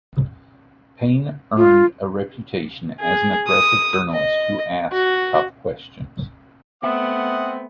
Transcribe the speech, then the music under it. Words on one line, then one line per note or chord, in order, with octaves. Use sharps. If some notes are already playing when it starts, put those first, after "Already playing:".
Payne earned a reputation as an aggressive journalist who asked tough questions.
F4
G#4
D#6
D#5
F#4
A3 B3 C4 E5 F#5 D#6